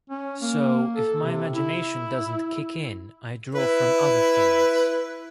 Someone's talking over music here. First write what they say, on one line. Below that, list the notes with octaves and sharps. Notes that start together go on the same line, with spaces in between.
So if my imagination doesn't kick in, I draw from other things.
C#4
A#3
A4
C3
E4
E4 B4